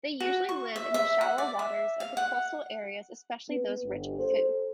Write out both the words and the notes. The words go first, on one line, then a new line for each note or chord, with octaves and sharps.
They usually live in the shallow waters of the coastal areas especially those rich of food.
F#4
C#6
E5
E5
F#5
D5
E5
F5
F#5
B3
G1
A4 C5